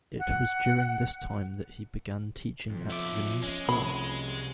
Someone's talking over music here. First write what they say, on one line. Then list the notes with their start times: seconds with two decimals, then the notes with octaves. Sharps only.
It was during this time that he began teaching at The New School.
0.19 F#5
2.70 F2
2.90 B1 E5 D6
3.43 G#3 C#4
3.69 C2 C3 F3 B5